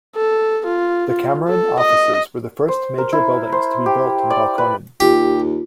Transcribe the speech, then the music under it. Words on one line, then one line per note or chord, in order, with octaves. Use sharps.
The Cameron Offices were the first major buildings to be built in Belconnen.
A4
F4
F4
A4
D#5
C5
A#4
E4
C5
G4
D5
B4
D#2 F4 G4